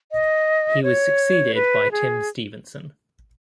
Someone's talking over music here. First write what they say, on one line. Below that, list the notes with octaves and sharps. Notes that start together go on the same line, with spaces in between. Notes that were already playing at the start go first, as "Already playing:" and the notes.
He was succeeded by Tim Stevenson.
D#5
C#5
B4
G#4